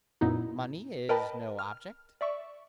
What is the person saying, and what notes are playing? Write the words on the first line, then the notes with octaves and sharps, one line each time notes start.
"Money is no object?"
F#2 A#2 B3 D#4 E4
A#4 B4 D#5 G5 A5 B5
F6
D5 E5 C#6